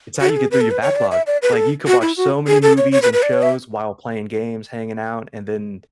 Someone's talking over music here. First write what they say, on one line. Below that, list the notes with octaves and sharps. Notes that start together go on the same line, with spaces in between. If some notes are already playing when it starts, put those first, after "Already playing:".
It's how you get through your backlog. Like, you could watch so many movies, and shows while playing games, hanging out, and then,
F#4
A4
G#4
B4
A4
B4
C#5
D5
E5
D5
B4
G#4
A4
F#4
E4
F#4
G#4
A4
C#5
C#5
B4
B4
D5
C#5
E5